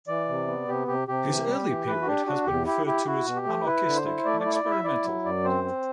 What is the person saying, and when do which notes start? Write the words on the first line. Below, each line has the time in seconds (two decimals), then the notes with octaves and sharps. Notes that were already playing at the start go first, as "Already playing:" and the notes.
His early period has been referred to as ", anarchistic and experimental".
0.08 E3 D5
0.28 C3
0.47 B3
0.68 C3 G4
0.87 C3 G4
1.08 C3 G4
1.28 E3
1.47 G3
1.67 E3
1.87 E3 B4
2.02 F#4
2.07 D4 G4
2.26 D4 F#4
2.46 E2 G4
2.66 E4 G4
2.86 E4 G4
3.06 E4 F#4
3.26 B2
3.36 G4
3.46 A3
3.65 E4 B4
3.85 D3
3.96 C5
4.05 E4
4.25 A3 D5
4.40 D5
4.45 E4
4.55 D5
4.65 E4
4.71 E5
4.84 E4 D5
5.05 F#3
5.25 F#2 D5
5.45 C4 C5
5.64 C4